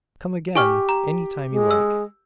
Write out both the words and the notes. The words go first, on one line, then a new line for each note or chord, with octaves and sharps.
"Come again any time you like."
G4 G#5 C#6 F6
A#5
G#3
E6